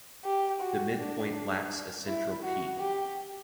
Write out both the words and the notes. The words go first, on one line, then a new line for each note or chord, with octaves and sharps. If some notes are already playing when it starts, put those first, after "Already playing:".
The midpoint lacks a central peak.
G4
F#4
D4
E4
F#4
G4